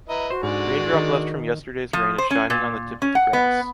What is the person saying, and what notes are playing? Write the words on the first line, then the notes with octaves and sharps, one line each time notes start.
Raindrop left from yesterday’s rain is shining on the tip of the grass.
E4 B4 D#5 A#5
F#4 C5
G#2 D3 G#3 D5
D#3
F3
C5
C#4
A#2
C#4
F#5
B3